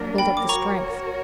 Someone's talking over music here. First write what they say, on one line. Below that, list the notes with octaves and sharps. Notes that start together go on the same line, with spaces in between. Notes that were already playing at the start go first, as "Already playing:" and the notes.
Build up the strength.
Already playing: F#3 A#3 D4 A#4
G5 B5
D6
F#4 A#4 C#5 A#5 C#6